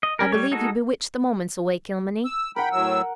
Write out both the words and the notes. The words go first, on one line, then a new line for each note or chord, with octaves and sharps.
I believe you bewitch the moments away, Kilmeny.
D#5
C#4 A#4
G3 C#5
G#3 D#4 F#4 A4
E6
A#4 F#5 G5 B5
A2 F#3 E6